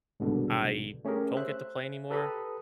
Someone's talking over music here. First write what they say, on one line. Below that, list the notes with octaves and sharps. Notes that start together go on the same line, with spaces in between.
I don't get to play anymore,
C2 G#2 B2 D3 D#3
A3 C#4 G4 G#4 A#4
C5 E5 F#6
G4 A4 B4 A#5 B5 D#6